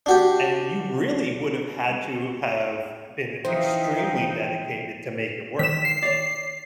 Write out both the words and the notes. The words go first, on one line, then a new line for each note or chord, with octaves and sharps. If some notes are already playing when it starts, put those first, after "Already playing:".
and you really would have had to have been extremely dedicated to make it work.
D4 F#4 G4
C#3 E3 F3 D#4 C5 E5 F5 G5
D#3 B6 E7
C7
C#5 D5